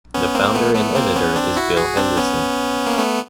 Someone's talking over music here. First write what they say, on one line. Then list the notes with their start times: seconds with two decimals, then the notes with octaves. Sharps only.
The founder and editor is Bill Henderson.
0.14 B3 C#4
0.35 A#3 C4
0.55 A3 B3
0.75 A3 B3
0.95 A#3 C4
1.16 B3 C#4
1.36 C4 D4
1.56 E4 F#4
1.76 F#4 G#4
1.97 C4 D4
2.17 B3 C#4
2.87 A#3
2.98 A3 B3